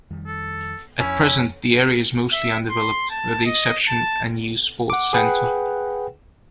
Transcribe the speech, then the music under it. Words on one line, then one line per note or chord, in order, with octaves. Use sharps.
At present the area is mostly undeveloped, with the exception a new Sports Centre.
F2 D#3 G3
A4
F2 C#4 E4
E5
C6
A5
D#5
A5
F#5 D6
G#4 B4 F#5 G5